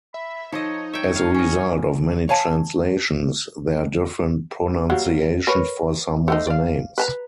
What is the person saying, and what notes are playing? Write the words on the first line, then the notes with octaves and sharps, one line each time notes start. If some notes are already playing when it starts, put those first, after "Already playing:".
As a result of many translations, there are different pronunciations for some of the names.
E5 B5
F3 D#4 A4 C#5 D#5
C#5 E5 G5
F5
C#4 D#5
C#5 F5 G#5 A5
F#3 G3 A#3
A#4 B4 C#5
A3 C4 D#4
D5 F5
B4 A5 A#5